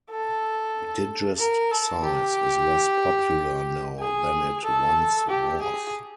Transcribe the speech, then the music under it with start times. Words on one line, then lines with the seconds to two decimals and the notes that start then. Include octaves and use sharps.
Digest size is less popular now than it once was.
0.10 A4
1.39 A#4
1.71 A4
2.04 G4
3.99 G#4
4.64 A4
5.29 G4
5.62 G#4